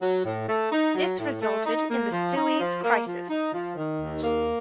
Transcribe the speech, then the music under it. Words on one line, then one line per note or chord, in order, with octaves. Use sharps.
This resulted in the Suez Crisis.
F#3
A2
A3
D#4
F#3
A2
A3
D#4
A#3
F3
D#4
F3
A#3
F3
D#4
F3
D#3
D#2
A#3